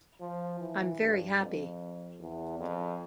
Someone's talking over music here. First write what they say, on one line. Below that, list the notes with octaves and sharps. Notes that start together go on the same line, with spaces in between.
I'm very happy.
F3
E3
G2
F2
E2
F2